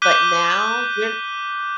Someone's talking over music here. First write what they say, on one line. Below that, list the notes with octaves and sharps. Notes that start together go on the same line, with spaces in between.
But now you're
D6 F#6 G6 B6 D#7 G7